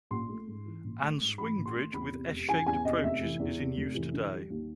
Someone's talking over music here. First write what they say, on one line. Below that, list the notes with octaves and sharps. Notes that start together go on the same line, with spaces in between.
An swing bridge with S-shaped approaches is in use today.
A#1 C6
A3
G#2
E3
A#1
A3
G#2
E3 B5
A#1
C6
A3
E2 B5
C3
F1
E3 G#5
E2 G#5
C3 D#5
F1 E5
E3
E2
C3
F1
E3
D3
G3
D#2